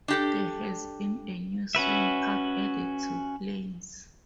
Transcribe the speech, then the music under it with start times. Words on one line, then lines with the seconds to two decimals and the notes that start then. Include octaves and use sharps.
There has been a new swing park added to Plains.
0.08 D4 G4 A4
1.75 C#4 F#4 B4 E5